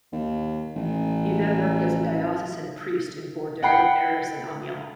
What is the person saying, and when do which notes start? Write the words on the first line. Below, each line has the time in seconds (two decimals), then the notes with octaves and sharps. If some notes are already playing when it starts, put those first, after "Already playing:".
He then worked as a diocesan priest in Bordeaux, Paris and Amiens.
0.12 D#2
0.76 A1
3.63 F#5 G5 B5 C7 C#7